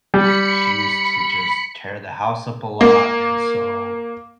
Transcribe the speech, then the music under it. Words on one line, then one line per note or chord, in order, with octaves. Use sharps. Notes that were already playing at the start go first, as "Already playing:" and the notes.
she used to just tear the house up a lot, and so
G3 B5 C#7
A#3